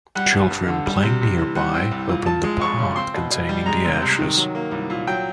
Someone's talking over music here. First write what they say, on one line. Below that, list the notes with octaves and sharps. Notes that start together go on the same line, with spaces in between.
Children playing nearby opened the pot containing the ashes.
G3 F#5
G2
G2
D3
G3
C3
C3
E3
G3 F#5
C4
C2
A#2
F3 A5
G#3
F2 C#6
C#3
C4 C6
B2
B2
G3
G#3 A#5
C3
C3
D#3
F#3
A#3
C2
A#2
F#3 G5